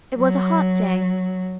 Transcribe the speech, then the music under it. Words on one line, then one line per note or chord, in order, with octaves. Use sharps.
It was a hot day.
F#3